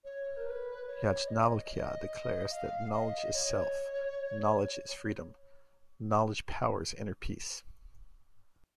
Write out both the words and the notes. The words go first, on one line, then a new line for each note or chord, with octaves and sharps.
Yajnavalkya declares that Knowledge is Self, Knowledge is freedom, Knowledge powers inner peace.
C#5
A#4
B4
C#5
D#5
D#5
F5
D#5
C#5